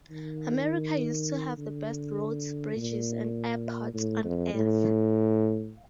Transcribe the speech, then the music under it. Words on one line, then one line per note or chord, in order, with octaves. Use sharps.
America used to have the best roads, bridges, and airports on Earth.
D#3
D3
A#2
A2
F2
A2